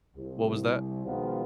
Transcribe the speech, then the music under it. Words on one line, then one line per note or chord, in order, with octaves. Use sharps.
What was that?
C2
B2 D#3 F3 G#3 B3 F4